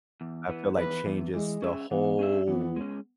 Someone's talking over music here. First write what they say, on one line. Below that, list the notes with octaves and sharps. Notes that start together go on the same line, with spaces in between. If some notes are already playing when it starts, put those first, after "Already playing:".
I feel like changes the whole
E2
E3 B3
E2 B4
E3 B3
E3 G#3
C#4 G#4 E5
E3 B3
C#4 G#4 E5
E3 B3
G#3 C#4